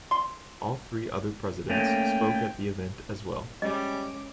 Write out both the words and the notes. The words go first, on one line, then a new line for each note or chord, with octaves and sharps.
All three other presidents spoke at the event as well.
C6
A3 A#3 C#4 G5
G3 G#3 C#4 D#5 D6